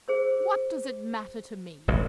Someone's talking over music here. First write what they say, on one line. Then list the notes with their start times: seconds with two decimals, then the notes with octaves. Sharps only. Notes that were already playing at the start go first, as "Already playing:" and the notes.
"What does it matter to me?"
0.08 G#4 C5 E6
1.88 E1 A1 D#2